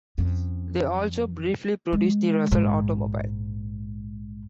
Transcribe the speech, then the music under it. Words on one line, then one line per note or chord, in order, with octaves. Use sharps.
They also briefly produced the Russell automobile.
F2 C#4
G#3
A#1 G#2